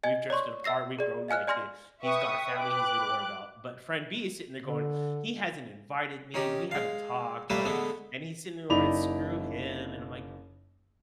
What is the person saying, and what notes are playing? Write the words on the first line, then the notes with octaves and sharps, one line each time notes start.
we've drifted apart, we've grown, like, the he's got a family he's gonna worry about." But, friend B is sitting there going, "He hasn't invited me, we haven't talked," like, and he's sitting there going, "Screw him." And I'm like
D#5 G#5 G#6
C#5 D5 C6 C#6
E5 E6 A#6 C7
G#4 D5
D#5 F5 G#5 F6 F#6
D5 G#5 C6 F6 A#6
B4 E5 G5 C#6 D#6
D6 F#6
D3
D#3 C#4 D#4 G4
G#3 F5
G3 A3 A#3 A4 B4 D5
D3 G#3 A3 B3
F#1 D#4 E4 D5 B5 F7